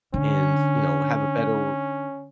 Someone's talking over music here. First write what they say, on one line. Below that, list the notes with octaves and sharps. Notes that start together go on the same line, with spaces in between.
and, you know, have a better
D3 C#4